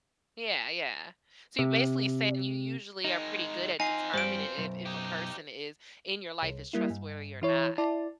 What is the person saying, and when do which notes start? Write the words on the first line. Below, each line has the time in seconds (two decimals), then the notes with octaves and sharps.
Yeah, yeah. So, you're basically saying you usually are pretty good at determining if if a person is in your life is trustworthy or not.
1.59 C3
3.04 D#3 G#3 D#4
3.80 C4 D#4 F4 G#5 C7
4.14 G2 G3 C5 D7
4.58 B1 F#2
4.86 D#4 G4
6.42 C2
6.73 G3 A#3 E4
6.90 G2
7.42 E3 E4 C#5
7.78 E4 D5 A5